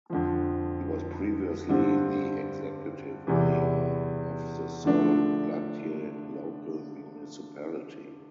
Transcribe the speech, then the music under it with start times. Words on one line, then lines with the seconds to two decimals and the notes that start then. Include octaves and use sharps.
He was previously the Executive Mayor of the Sol Plaatje Local Municipality.
0.10 F2 D3 F3
1.69 G2 D3 G3 C4
3.27 E2 C3 E3
4.84 D3 F3 A3 D4